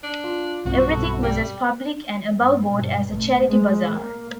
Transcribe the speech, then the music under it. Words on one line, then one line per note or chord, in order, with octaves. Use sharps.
Everything was as public and above-board as a charity bazaar.
D4
F4
B1 G2 C4 F#4
B2 A4
G3
G2
G2 B2
A1
G#3
A#3